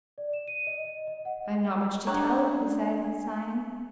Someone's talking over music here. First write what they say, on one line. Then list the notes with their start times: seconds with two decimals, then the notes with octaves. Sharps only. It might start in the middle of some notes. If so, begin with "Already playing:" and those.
"I have not much to tell," he said, sighing.
0.18 D5
0.33 E7
0.48 D#7
0.67 D#5
0.84 D#5
1.07 D#5
1.25 F#5
2.07 D4 D#4 G4 C#5 F#5 A#5 F#6 G#6
3.02 G#3 G#5